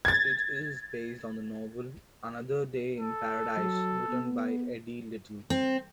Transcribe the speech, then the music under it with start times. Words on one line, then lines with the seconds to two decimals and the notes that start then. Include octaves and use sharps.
It is based on the novel "Another Day in Paradise" written by Eddie Little.
0.05 G#6 A6
3.00 A4
3.57 F#3
4.10 B3
5.50 C4